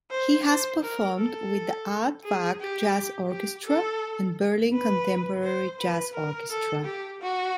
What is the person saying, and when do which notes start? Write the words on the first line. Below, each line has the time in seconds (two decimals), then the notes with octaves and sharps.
He has performed with the Aardvark Jazz Orchestra and Berlin Contemporary Jazz Orchestra.
0.11 C5
0.47 C5
0.83 A#4
1.18 A4
2.25 G#4
2.60 G4
3.31 G4
3.66 A4
4.73 B4
5.44 C5
5.79 B4
6.14 A#4
6.50 A4
6.85 G4
7.21 F#4